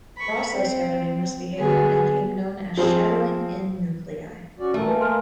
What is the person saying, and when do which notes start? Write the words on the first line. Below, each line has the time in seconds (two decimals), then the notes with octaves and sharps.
The process governing this behavior became known as shadowing in nuclei.
0.17 B5 C#6
0.51 C4
1.58 D3 F#3 B3 G#4
2.77 F3 C4 G#4
4.59 C#4 F#4 D5
4.74 E3 G3 A3 A#4
4.86 A#3 B4 G#5
5.00 A#3 A#4 D#5 G#5 C6 F6